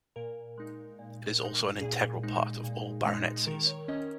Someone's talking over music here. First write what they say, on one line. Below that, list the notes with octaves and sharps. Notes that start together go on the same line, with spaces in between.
It is also an integral part of all baronetcies.
A#2 A#4
G#3 D#4
A#2
G#3 D#4
A#2 G#4
G#3 D#4
A#2
G#3 D#4
D#3 A#4
C#5
C#4 D#5